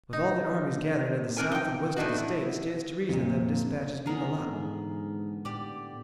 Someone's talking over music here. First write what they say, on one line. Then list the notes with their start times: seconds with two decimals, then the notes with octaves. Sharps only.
With all the armies gatherin' in the south an' west of the state it stands to reason that them dispatches mean a lot.
0.13 D#4
1.37 C4 D4 A#4 G#5
1.51 D#4 G5
1.96 E3 A3 D4 D#4 F#4
2.18 E4
3.09 F2 A#2
4.06 D3 E3 B3 G#4 A#4
4.49 G#2
5.45 A2 G4 D5